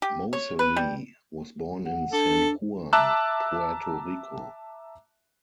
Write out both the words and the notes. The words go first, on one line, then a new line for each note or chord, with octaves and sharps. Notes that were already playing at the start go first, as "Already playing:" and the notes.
Moseley was born in San Juan, Puerto Rico.
G4
C#5
B4
G3
F#5
D4 A4
E5 A5 A#5 D6 E6 F#6